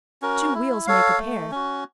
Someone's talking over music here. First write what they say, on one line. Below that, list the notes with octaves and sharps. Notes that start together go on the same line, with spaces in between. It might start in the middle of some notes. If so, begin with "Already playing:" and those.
Two wheels make a pair.
C#4 F#4 A#4
E4
A4 C#5 F5
A3
C#4 F#4